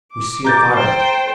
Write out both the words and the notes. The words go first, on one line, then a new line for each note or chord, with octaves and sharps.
We see a fire.
D6
A#5 G6 A6
C5 G5